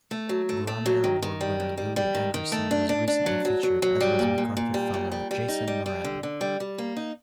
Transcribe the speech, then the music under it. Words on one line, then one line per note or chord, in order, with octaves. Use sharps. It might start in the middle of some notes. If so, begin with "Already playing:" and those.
Grawemeyer Award winner Louis Andriessen was recently featured as was MacArthur Fellow Jason Moran.
A3
F#3
A3
A3
F#3
D#3
D#3
G3
D#3
G3
G3
D#3
D#3
A3
D4
D4
D4
F#3
F#3
F#3
F#3
G3
A#2
A#2
A#2
G3
A#2
G3
G3
D#4
G3
G3
D3
D3
G3
G3
A#3
D#4